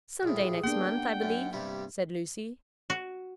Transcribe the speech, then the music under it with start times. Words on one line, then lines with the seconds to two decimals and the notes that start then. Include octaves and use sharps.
"Some day next month, I believe," said Lucy.
0.23 A#1 A2 G#4
0.41 G4
0.64 A#3 B3 D4 G5 C6
0.96 F#5
1.23 F#2
1.53 G2 C3 G3 G4
2.90 F#4